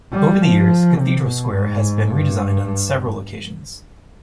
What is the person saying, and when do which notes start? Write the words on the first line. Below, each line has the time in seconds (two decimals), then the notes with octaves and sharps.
Over the years Cathedral Square has been redesigned on several occasions.
0.13 G3
0.42 F3
0.99 C3
1.27 B2
1.55 G#2
2.13 G2